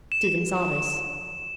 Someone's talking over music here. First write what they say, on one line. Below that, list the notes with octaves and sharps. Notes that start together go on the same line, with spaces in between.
Stephen saw this.
E7